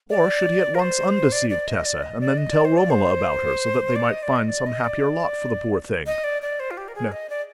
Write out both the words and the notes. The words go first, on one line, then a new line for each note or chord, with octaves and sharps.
Or, should he at once undeceive Tessa, and then tell Romola about her, so that they might find some happier lot for the poor thing?
D5
A#4
C5
D5
D5
D#5
D5
D#5
D5
D#5
D5
C5
D5
C5
D5
D#5
D5
D#5
D5
D#5
D5
D#5
D5
D5
C5
F4
G4
A#4
G#4
D#5
D5